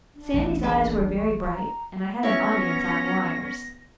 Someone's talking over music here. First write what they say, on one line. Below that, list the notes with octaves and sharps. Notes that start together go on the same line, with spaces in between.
Sandy's eyes were very bright and I had an audience on wires.
D4
E1 A1 D#2
G#3 D4 B4 A5
C#6
A#5
B3 C#4 E4 C#5 A#6